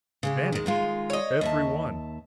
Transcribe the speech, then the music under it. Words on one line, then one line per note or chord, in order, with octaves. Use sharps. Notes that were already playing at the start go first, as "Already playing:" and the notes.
Vanished, every one!
C#3 G#3 G4
D#3 G#3
D#3 G#3 F4
C#5 D#5
D#2 E5 A5